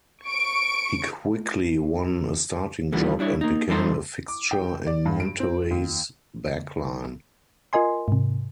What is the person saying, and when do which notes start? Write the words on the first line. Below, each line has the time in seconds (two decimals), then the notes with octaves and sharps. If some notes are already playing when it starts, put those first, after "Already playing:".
He quickly won a starting job and became a fixture in Monterrey's backline.
0.25 C#6 D7
2.92 A#2 D3 E3 F3 G3 B3
3.19 G3 D4 E4 C#5
3.41 A#3 D#4
3.68 E3 G3 D#4 A4 C5
4.28 D6
4.51 G5
4.87 D5
5.05 G2
5.20 D7
5.40 C4
5.71 D#2
7.73 F4 A#4 D#5 G#5 C6
8.08 G#2 C3